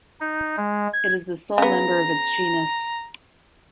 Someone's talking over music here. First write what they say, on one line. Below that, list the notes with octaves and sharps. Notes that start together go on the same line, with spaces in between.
It is the sole member of its genus.
D#4
G#3
G#6
C#3 B3 A#5